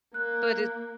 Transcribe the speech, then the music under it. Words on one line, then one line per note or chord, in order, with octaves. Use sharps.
But it
A#3 F#6